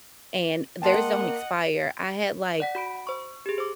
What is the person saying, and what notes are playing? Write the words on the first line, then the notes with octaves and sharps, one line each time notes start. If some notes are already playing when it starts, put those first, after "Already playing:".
and theirs don't expire. I had, like
A#3 A#4 D#5 F#5 G5 A5 C6
D5 F#5 B6
F#4 B5 D7
C5 C#6
G4 G#4
C5 D6